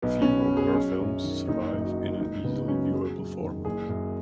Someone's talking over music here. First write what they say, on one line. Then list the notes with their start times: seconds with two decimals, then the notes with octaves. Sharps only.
Few of her films survive in an easily viewable format.
0.02 B1 B3
0.22 C#4
0.27 B2
0.39 B4
0.52 F#3
0.57 G#4
0.75 F#3 C#4
1.00 F#2
1.23 D#3
1.48 F#1 D#4
1.72 F#2
1.84 F#4
1.96 F#3
2.21 C#2 D#4
2.44 C#3 B3
2.68 F#3 C#4
2.93 F#3 G#4
3.17 F#2
3.41 D#3
3.65 F#1 G#4
3.89 F#2